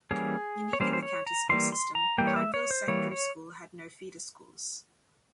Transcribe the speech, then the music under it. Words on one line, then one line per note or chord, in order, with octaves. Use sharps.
Unique in the county school system, Pineville's secondary school had no feeder schools.
E3 G3 A#3 C#4 G#4
C#5
E3 G3 A#3 C#4 C5
C5
C#5
A#5
E3 G3 A#3 C6
C6
A#5
E3 G3 A#3 G5
C#5
E5
C#5
C5
E3 G3 A#3 C#5
C#5